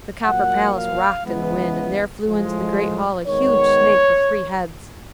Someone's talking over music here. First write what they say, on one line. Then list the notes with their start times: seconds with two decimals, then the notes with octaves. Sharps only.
The copper palace rocked in the wind, and there flew into the great hall a huge snake with three heads.
0.24 A#2 F#3 A#3 F#5
0.75 F5
1.25 C#3 E3 G#3 B3
2.26 A2 F3 G#3
3.26 D#3 G#3 B3 C#5